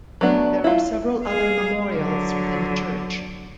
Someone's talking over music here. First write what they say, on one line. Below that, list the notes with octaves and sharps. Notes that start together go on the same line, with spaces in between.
There are several other memorials within the church.
F#3 A3 B3 D4
E4 F4
G#4 F5
D3 F#3